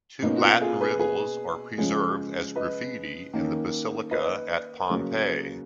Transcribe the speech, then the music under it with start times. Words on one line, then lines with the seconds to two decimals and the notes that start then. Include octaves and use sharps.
Two Latin riddles are preserved as graffiti in the Basilica at Pompeii.
0.22 B2 A#3 C#4 D#4
0.36 F#4
0.41 F4
0.61 F4 G#4
0.81 G#4 B4
0.99 G#4 B4
1.78 C#3 F3 G#3 C#4
2.55 B4 D#5
3.33 D#3 A#3 C#4
4.11 B4 D#5
4.90 C#3 F#3 A#3